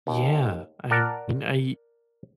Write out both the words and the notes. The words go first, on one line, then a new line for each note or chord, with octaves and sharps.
Yeah, I mean, I
D#2
A#4 D5 F#5 A5